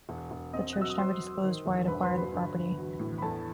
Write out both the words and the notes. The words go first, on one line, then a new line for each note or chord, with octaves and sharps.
The church never disclosed why it acquired the property.
E1
E1
C4 D#5 D#6
F#3 F#6
E6
D#6
F#3 C5 C6
F#3
D#3
E1
G2 B4 B5
C5 C6
F#3
B4 B5
G1
G1
F#3
A2
B5
E2 A4 A5